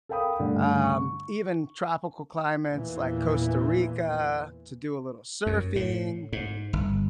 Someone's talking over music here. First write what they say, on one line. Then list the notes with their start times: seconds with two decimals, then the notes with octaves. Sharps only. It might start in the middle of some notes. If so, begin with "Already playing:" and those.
um, even tropical climates like Costa Rica to do a little surfing,
0.09 A4 A#4 F5 G5 B5 D#6
0.39 G2 D3 A3
0.84 C#6
2.72 E2 A#2 E3
5.46 F#2
5.76 A2
6.33 G#2
6.73 G1